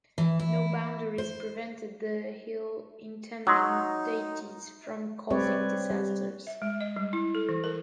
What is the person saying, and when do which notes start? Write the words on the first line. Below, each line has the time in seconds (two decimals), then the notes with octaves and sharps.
No boundaries prevented the ill-intending deities from causing disasters.
0.18 E3
0.40 E4
1.18 C5
3.47 F#3 D#4 C6 D#6 E6
5.30 G3 C4 G4 B4 C#5 D5
5.90 G3
6.47 E5
6.62 G#3
6.81 D#5
6.96 G3
7.13 E4
7.35 A4
7.49 E3
7.64 A#4